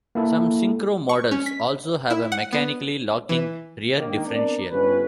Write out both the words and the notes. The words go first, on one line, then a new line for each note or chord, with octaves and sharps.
Some syncro models also have a mechanically locking rear differential.
A#3 E4 A4
C#6
C#4
B6
E4
F#5
B3
E3
D3 D#3 A#3
B3 C4 D4 A#4 D5
G1 C#4 B4